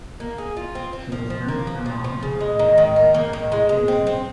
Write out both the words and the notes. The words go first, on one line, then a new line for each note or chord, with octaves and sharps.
She was then allowed to continue her education.
A#3
G#4
F4
C4
C4
F3
F3
A#3
F3
F3
F3
C#3
G#3
D#3
D#3
A#4
A#3
D#3
G#3
G#3
C4
C4